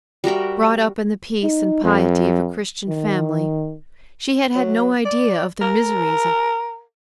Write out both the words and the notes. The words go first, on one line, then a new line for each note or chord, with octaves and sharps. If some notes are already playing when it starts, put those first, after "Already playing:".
Brought up in the peace and piety of a Christian family, she had had no idea of the miseries of paganism.
G3 F#4 A#4 E5
D#4
F2
D#3
F#3
D5
A#4